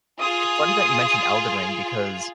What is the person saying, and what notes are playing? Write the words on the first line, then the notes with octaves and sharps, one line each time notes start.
it's funny that you mentioned Elden Ring because,
F4 G#4 D#6